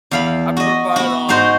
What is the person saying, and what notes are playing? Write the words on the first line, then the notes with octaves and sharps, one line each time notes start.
I provide, um,
E2 F5 B5
F#4 D#5
B3 F#4
G#2 D#4 F#4 C5 C6